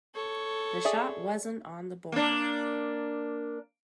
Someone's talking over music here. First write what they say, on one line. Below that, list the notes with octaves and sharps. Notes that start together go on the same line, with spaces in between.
The shot wasn't on the board.
A4 C#5
G#4 D5 E5
A#3 D4